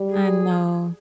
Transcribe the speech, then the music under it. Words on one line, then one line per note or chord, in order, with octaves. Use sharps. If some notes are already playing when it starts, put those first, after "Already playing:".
I know.
Already playing: G3
G#4